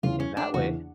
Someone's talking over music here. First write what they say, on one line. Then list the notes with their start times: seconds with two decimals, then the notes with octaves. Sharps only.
in that way.
0.03 E2 C#3 E3 F4
0.20 C#4
0.37 D4
0.54 E2 C#3 E3 F#4